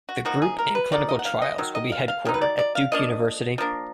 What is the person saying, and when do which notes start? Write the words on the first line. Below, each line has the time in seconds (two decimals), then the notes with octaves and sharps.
The group and clinical trials will be headquartered at Duke University.
0.09 F#4
0.25 F3 A#3 D#4 F#4
0.42 G#4
0.59 A#4
0.75 B4
0.92 F3 A#3 D#4 D5
1.09 D#5
1.19 F#5
1.25 F5
1.42 D#5
1.58 D#3 F#3
1.75 D#5
1.92 F5
2.08 F5
2.25 D#3 F#3 D#4
2.34 B4
2.41 D5
2.59 D5
2.75 F5
2.92 F3 A#3 D4 D#5
3.58 F3 A#3 D4